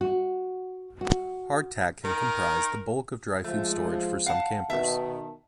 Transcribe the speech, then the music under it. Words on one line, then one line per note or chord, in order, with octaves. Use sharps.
Hardtack can comprise the bulk of dry food storage for some campers.
F#4
F#4
D#3 A#4
F3 G#3 A3
F5 F#5 A5
B2 D#3 E5 A5